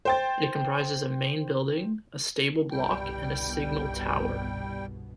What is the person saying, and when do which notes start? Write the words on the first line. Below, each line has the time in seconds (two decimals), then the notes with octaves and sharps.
It comprises a main building, a stable block and a signal tower.
0.05 C5 G5 A6
2.71 G1 C2 B2 G3 G5